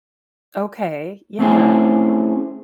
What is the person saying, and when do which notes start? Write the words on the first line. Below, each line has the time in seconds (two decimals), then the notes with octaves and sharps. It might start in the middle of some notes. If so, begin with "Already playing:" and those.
Okay, yeah.
1.39 A3 C4 C#4 E4 G#4